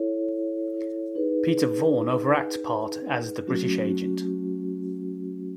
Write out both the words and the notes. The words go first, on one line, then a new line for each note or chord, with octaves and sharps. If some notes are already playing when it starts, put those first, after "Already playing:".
Peter Vaughan overacts part as the British agent.
Already playing: E4 A4 C#5
D#4 G#4 B4
F#3 A3 C#4 F#4